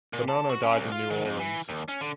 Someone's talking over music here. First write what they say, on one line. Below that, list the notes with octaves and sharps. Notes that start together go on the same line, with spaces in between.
Bonano died in New Orleans.
A#2
A5
F#4
C#4
C2
F4
D#3
F2
E3
D#2
C#4
D3